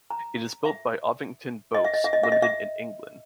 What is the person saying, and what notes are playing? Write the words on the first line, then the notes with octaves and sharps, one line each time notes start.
It is built by Ovington Boats Limited in England.
A#5
E5
D#5
E5
D#5
E5
D#5
E5
D#5
E5